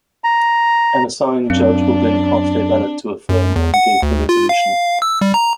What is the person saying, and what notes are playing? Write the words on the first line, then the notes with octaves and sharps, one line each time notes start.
An assigned judge will then cast a ballot to affirm or negate the resolution.
A#5
F#2 C4 D4
F#2
E2
F#5
D2
F4
F5
E6
G3
A#5